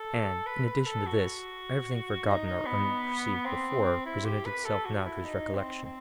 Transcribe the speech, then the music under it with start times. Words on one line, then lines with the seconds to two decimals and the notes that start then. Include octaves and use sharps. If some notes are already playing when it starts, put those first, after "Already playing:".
And, in addition to this, everything forgotten or unperceived before presented itself now to his recollection.
Already playing: A4
0.46 B4
0.66 B4
0.86 A4
1.07 F#4
2.26 D#4
2.46 D#4
2.66 B3
3.45 C4
4.06 E4
4.25 G4
4.45 B4
4.65 A4
4.85 F#4
5.05 E4
5.25 D#4
5.54 C4
5.85 C4